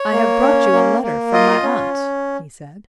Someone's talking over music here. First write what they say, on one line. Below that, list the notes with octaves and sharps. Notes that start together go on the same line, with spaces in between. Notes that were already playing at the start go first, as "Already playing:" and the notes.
"I have brought you a letter from my aunt," he said.
Already playing: C#5
A#3
C#4
A#3
A#3
F4 D#5
C#4